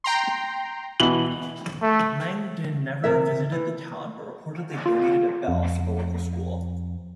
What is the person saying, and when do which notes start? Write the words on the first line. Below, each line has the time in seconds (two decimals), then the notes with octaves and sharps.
Langdon never visited the town, but reportedly donated a bell for the local school.
0.04 G5 A#5 C6
1.00 B2 E3 F#7
1.82 A3
3.04 C3 A#4 E5
3.52 E3
4.86 F4
5.48 F2